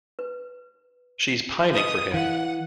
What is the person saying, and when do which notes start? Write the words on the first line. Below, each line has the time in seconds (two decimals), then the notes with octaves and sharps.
She's pining for him.
0.19 B4
1.74 B4 D#5 D#6
2.14 E3 F5 F#5